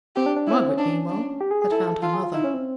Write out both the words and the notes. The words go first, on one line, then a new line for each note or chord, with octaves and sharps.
Margaret meanwhile had found her mother.
C4 G4
D4
D4
C#4 E4
C4
C#4
D4
D4
G4
G#4
G#4
E4 A4
A4
F4 A4
G#4
F4
D#4 E4
C#4
C4